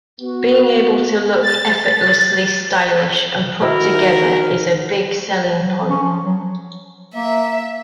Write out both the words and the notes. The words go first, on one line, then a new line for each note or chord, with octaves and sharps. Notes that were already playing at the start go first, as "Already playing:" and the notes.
Being able to look effortlessly stylish and put together is a big selling point.
B3 F#4
A6
D#3 E4 F#4 A#4
F#3
C#4
F3
F#3
A#3 E5